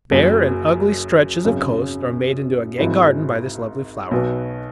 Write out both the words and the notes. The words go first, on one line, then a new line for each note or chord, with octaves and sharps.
Bare and ugly stretches of coast are made into a gay garden by this lovely flower.
F#1 F#2 F#3
G#1 F#2 C#3 F#3 C#4
G#1 G#2 F#3 E4
B1 B2 B3